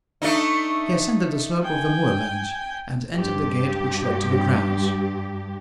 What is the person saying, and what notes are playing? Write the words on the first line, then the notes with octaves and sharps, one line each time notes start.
He ascended the slope of the moorland, and entered the gate which led to the grounds.
A3 D4 D#4
G5 G#5
G2 G4